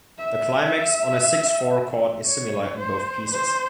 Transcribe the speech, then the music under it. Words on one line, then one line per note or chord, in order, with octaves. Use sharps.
The climax on a six-four chord is similar in both pieces.
E5
C#5
C5
C5